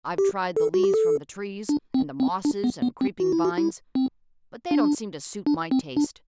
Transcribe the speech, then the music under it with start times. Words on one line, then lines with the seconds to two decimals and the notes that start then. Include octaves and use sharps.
I've tried the leaves from the trees and the mosses and creeping vines, but they don't seem to suit my taste.
0.18 G4
0.56 A4
0.74 F#4
0.84 G4
0.94 A4
1.69 D4
1.94 C4
2.20 C4
2.45 D4
2.64 B3
2.82 B3
3.01 C4
3.20 F#4
3.32 E4
3.45 F#4
3.58 E4
3.95 C4
4.71 D4
5.46 D4
5.71 C4
5.97 D4